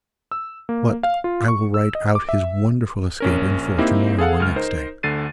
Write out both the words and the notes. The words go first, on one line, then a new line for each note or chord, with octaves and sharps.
But I will write out his wonderful escape in full to-morrow or next day.
E6
A#3
F5
F4
C#6
E6
D#5
D6
E5
A#1 C#4 A#4
A#3 C4 D#4 E4 G4
G#4 A4 F5 F#5
C#2 F6
D#4 A#4 C5
D2 D3 A6 C7 D#7